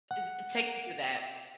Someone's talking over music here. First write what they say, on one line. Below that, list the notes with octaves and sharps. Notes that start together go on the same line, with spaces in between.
Th th take me through that.
F#5